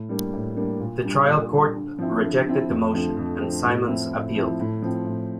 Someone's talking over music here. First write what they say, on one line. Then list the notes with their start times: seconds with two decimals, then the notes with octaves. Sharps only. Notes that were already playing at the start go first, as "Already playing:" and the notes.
The trial court rejected the motion, and Simmons appealed.
Already playing: A2
0.09 G3 A#3 D4
0.33 A2
0.56 G3 A#3 D4
0.80 A#2
1.04 G3 D4
1.27 A#2
1.51 G3 D4
1.75 D3
1.99 F3 C4 E4
2.22 D3
2.46 F3 C4 E4
2.70 F2
2.93 D3 F3 A3 C4
3.17 F2
3.40 D3 F3 A3 C4
3.64 A2
3.87 F3 C4 E4
4.12 A2
4.35 F3 C4 E4
4.60 A2
4.82 F3 C4
5.06 A2